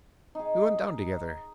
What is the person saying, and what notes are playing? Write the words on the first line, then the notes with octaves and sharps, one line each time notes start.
We went down together.
D#4 G#4